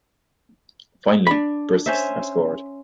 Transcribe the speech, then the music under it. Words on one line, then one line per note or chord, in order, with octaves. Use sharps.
Finally, brisques are scored.
D4 B5
C#4 C5 E5